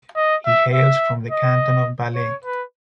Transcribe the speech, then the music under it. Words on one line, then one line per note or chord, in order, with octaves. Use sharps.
He hails from the canton of Valais.
D#5
E5
E5
D#5
C#5
B4